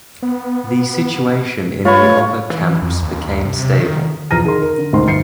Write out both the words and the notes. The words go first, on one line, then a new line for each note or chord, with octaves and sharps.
The situation in the other camps became stable.
B3
A3 F4 B4 C#5
E3
F2
D#2
C3
D#3
E2 F3 A#5 F6 A#6 D#7
D#3 G#4 A#4 C6
A#4
D3
D2 G#2 D#3 C5 C6
G1 C7 C#7